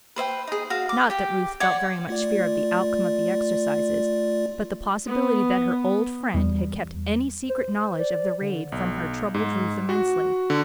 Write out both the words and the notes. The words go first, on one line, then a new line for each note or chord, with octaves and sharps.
Not that Ruth felt very much fear of the outcome of the exercises; but the possibility that her old friend had kept any secret knowledge of the raid from her troubled Ruth immensely.
B4 C5 E5 G5
D#4 G#4
F#4 F5
D6
G4 G5
C#5 D5 F#5 C6
A3 F4 D5
B3
E2 G3
C5
D5
D3
B1
G#2
F#4
D3